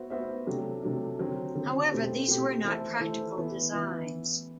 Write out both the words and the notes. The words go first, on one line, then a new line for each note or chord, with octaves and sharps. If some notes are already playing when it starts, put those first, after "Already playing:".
However, these were not practical designs.
Already playing: B3 F#4 C5 E5
B3 F#4 C5 E5
C3 F#3 A3 D4
C3 F#3 A3 D4
D3 F#3 C4
D3 F#3 C4
B2 A3 C4 G4
B2 A3 C4 G4
E3 A3 E4 A4 C5
E3 A3 E4 A4 C5
E3 B3 E4
E3 B3 E4